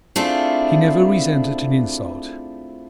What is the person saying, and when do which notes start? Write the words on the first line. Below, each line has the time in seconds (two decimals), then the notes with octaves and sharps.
He never resented an insult.
0.16 A3 C4 D4 E4 F4 G#4